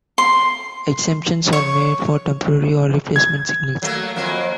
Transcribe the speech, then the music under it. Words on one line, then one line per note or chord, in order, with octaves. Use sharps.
Exemptions are made for temporary or replacement signals.
C6
C#5
G#6
F#3 A3 A#3
F2 F#3 A#3